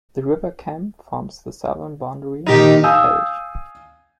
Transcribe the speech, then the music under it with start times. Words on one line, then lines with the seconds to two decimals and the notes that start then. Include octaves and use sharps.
The River Cam forms the southern boundary of the parish.
2.46 A#2 D#3 D#4 G4
2.83 F5 G#5 D#6 E6 G6